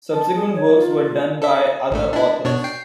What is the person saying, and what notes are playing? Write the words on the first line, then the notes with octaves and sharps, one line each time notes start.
Subsequent works were done by other authors.
A5
G#4
C#5
F4
A4 E5
A1 A3
D4 E4
B2 D4 C#5
G5 C7